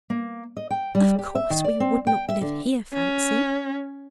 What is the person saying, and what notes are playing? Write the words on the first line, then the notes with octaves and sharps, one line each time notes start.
Of course we would not live here, Fancy.
A#3
D#5
G5
G3
G4
E5
D#3
D5
C4
G5
E5
D3
C#4